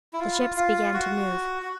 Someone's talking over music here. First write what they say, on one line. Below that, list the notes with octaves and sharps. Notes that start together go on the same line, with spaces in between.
The ships began to move.
E4
F4
F4
F#4
F#4